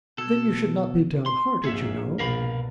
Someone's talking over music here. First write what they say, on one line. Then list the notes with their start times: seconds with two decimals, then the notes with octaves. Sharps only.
'Then you should not be downhearted, you know.'
0.18 B2 F#4 A4 G#6
1.26 C6
1.64 A#1 G#2 A#3 G#4 A4 E5
2.19 C2 B2 A#4 F5 B5